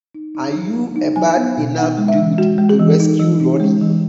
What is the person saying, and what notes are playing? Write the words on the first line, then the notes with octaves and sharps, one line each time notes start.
Are you a bad enough dude to rescue Ronnie?
D#4
D#4
F#3
F#3
D#4
F#3 G#5
B3
B2
D#4 F#5
G#3
E5
E3
G#3 F#4
G#3
G#4
E3
D#4
E3
D#4
G#3
E3